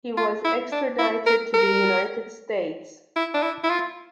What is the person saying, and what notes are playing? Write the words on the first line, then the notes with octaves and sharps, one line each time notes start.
He was extradited to the United States.
F4
E4
D4
E4
A#4
A#4
E4
D4
E4
E4
F4